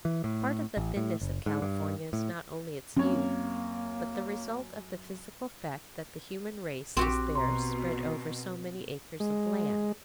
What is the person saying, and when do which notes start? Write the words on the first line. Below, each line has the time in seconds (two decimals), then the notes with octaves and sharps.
Part of the thinness of California is not only its youth, but the result of the physical fact that the human race is there spread over so many acres of land.
0.05 E3
0.24 A2
0.77 A1
0.97 A2
1.21 F#1
1.46 G#2
1.62 G2
2.13 A2
2.97 F#2 A#3 C4 C#4 C#5
6.97 A#1 C4 F#4 G4
7.35 B2 A#5 C6
9.20 G#3